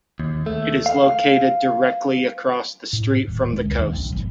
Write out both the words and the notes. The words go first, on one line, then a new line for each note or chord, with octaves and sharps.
It is located directly across the street from the coast.
D#2
A3
F5
A2
D#1
G#3
C#2
D#2
A#1
G1